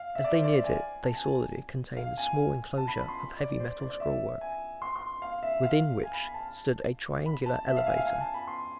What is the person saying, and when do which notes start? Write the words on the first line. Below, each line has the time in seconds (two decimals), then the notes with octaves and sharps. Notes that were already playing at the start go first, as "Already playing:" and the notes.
As they neared it they saw that it contained a small enclosure of heavy metal scrollwork, within which stood a triangular elevator.
Already playing: F5
0.15 E5
0.24 D5
0.33 C5
0.44 D5
0.54 E5
0.64 G#5
1.04 A5
1.15 G#5
1.97 F5
2.18 G#5
2.78 A5
2.88 B5
2.99 B5
3.08 C6
3.18 B5
3.39 D5
3.60 C5
3.80 D5
3.90 D5
4.00 E5
4.41 G#5
4.82 C6
4.96 C6
5.22 F5
5.43 E5
5.63 F5
6.04 G#5
6.13 B5
6.24 B5
6.34 A5
7.26 B5
7.46 A5
7.67 E5
7.77 F5
7.87 G#5
7.98 F5
8.07 G#5
8.21 A5
8.34 B5
8.48 C6